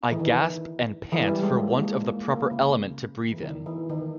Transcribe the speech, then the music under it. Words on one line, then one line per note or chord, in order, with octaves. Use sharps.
I gasp and pant for want of the proper element to breathe in.
E3
D#3
E3
G3
G#3
A#3
G#3
A#3
A#3
C#3
E3
D#3
E3
D#3